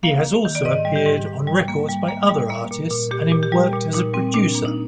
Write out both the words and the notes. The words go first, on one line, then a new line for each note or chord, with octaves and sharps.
He has also appeared on records by other artists and worked as a producer.
A#3 F5
A#3
D#3
D5
G#2 D#5
G3
G4
G#2
G#2
G3
A#3
G3
A#3
G3
A#3
A#2
A#2
A#2 G4
A#2
G4
G3
A#2
A#2 D#4
G3 C4
A#2 D4
A#3
D#4